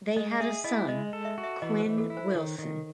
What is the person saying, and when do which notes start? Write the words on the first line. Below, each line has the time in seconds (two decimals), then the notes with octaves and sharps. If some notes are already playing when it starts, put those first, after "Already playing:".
They had a son, Quinn Wilson.
0.16 G#3 D#5
0.40 G#4 E5
0.64 E4 D#5
0.88 G#3 D#5
1.13 A4
1.25 E5
1.38 F#4
1.43 E5
1.62 E3 D#5
1.80 C5
1.86 E3
1.98 A4
2.10 E4
2.17 C5
2.35 D#3 C#5
2.58 D#3